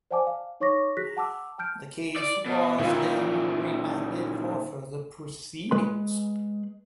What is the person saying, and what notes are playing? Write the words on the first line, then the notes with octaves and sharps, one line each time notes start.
The case was then remanded for further proceedings.
C5 D5 F#5 G#5 A5 D6
F5
D#4 C#5 C#6 D6 A#6
F#4 G#4 F#6 A#6 B6
F#5 A5 D6 E6
G5 A5 F6 G6 D7
D5
B2
A#2 D#3 E3 F4
G#3 B4 C6